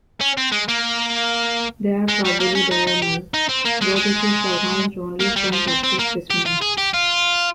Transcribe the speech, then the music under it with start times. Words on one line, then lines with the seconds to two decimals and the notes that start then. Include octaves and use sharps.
They are probably diurnal, though this is surmised only from captive specimens.
0.21 C#4
0.38 C4
0.52 G#3
0.69 A#3
2.08 G#3
2.25 G3
2.40 A#3
2.55 C#4
2.71 D#4
2.87 D#4
3.02 G4
3.34 D#4
3.49 C4
3.65 A#3
3.81 G#3
3.96 G#3
5.21 A#3
5.36 G3
5.53 F3
5.68 C4
5.83 C4
5.99 A#3
6.30 G4
6.46 F4
6.61 G#4
6.78 G4
6.94 F4